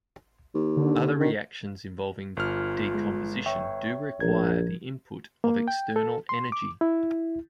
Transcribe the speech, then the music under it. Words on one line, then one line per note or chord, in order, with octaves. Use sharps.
Other reactions involving decomposition do require the input of external energy.
D#2
D3
D#3
G1 F4 F6
G#3
C#5 E5 G5 C#6
A#1 F3 A#4 G#6
A#3
G5
A4
C6
D6
E4